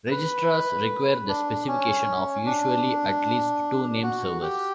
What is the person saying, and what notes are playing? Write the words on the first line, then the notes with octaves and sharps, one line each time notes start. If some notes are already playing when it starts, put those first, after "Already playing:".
Registrars require the specification of usually at least two name servers.
B4
D4
C#4
D4
F#4
G4